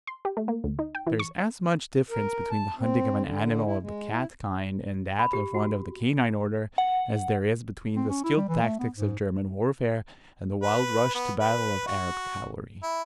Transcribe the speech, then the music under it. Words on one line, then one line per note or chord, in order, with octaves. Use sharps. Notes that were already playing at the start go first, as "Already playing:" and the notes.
There is as much difference between the hunting of an animal of the cat-kind and that of one of the canine order, as there is between the skilled tactics of German warfare, and the wild rush to battle of Arab cavalry.
C6
G4
A3
A#3
D2
D#4
G5
E3
C#6
A#4
A5
C4
D3
E4
G#3
E4
B5
G4
F#4
F#5
C4
C#4
E4
G3
E3
A3
B3
G#2
B4
B3
B4
F#4
E4